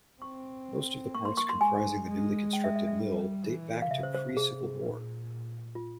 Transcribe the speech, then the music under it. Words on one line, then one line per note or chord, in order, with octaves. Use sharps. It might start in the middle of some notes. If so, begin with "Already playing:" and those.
Most of the parts comprising the newly constructed mill date back to pre-Civil War.
C4 C#6
A#3 C#6
C6
C#6
C6
G#3 G#5
G#3
G5
E5
E5
E5
G3
E3
F5
C#3 E5
C5
C5
C3 G#4
A#2
F4